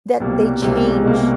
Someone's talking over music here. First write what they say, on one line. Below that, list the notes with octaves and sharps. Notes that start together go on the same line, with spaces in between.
that they change
C2 B2 G3 A#3
C2 B2 G3 G#3 A#3
C2 B2 G3 G#3 A#3